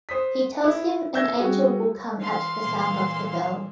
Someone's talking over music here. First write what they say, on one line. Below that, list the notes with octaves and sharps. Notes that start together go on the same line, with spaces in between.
He tells him an angel will come at the sound of the bell.
C5 D#6 B6
E4
E5 E6 G6 G#6 A#6
G3 F#4 G#4
E3 F5 C6
A#2 E3 A#3